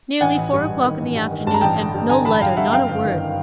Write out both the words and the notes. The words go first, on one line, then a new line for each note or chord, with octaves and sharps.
Nearly four o'clock in the afternoon, and no letter--not a word!
A1 F#5 G#5
A1
G2
G2
D#3
A1
G2
D#3
G2 A5
A#5
A1 G5 A5
D3
G2
D3 G#5 A#5
A1 A5 B5
G2 F5 G5
G2 E5 F#5
F#2 F5 G5
G1
D#3